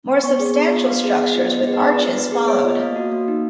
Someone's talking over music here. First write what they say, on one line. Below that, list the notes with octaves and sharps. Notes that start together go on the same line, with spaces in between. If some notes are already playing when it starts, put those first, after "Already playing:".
More substantial structures with arches followed.
B3 C#6
G#4
B3
F4
B3 F5
G#4
B3
F4
B3 D#5
G#4
B4
B3
B4
F4
B3 B4
G#4
B3 C#5
F4
D#5
A#3 F5
F#4
A#3
D#4